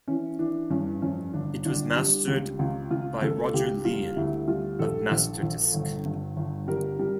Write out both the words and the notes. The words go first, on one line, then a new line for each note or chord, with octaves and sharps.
It was mastered by Roger Lian of Masterdisk.
E3 C#4
E3 D4
G2 C#4
F2 C#4
G1 D4
G1 D4
G3
C#2
C#2
C#2 F4
C#2 A4
C#2 G4
G3 F4
D2 E4
G3 F4
A#1 A4
A#1
A#1
G1
G2
G1
G3 A#4
G3